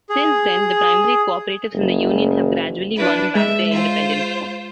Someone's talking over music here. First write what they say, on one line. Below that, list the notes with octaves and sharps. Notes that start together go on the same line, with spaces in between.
Since then, the primary co-operatives and their union have gradually won back their independence.
G#4
F#1
D4 E4 B4
G#3 E5
F4 C5